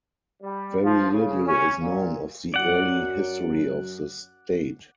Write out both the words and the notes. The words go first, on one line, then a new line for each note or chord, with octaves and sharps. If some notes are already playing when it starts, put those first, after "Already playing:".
Very little is known of the early history of the state.
G3
F3
C#3
C#4
A#2
F#2 F#3 D5 F#5